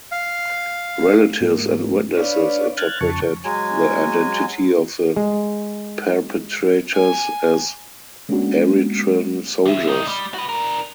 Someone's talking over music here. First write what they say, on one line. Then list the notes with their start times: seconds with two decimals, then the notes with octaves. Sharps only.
Relatives and witnesses interpreted the identity of the perpetrators as Eritrean soldiers.
0.12 F5
1.41 G#2 A#3
2.17 D4 B4 C#5 D5 F5
2.77 F6 F#6 G#6 A6
3.01 F2 C#3 F3 A5 C#6
3.44 F#3 G#3 G#5
5.16 G#3
6.92 G#5
8.29 G#3 A#3 B3 C#4 D4 F#4
9.66 D#2 E5
9.87 G2 D#4
10.08 G3
10.34 F#4 B4
10.49 D4 A#4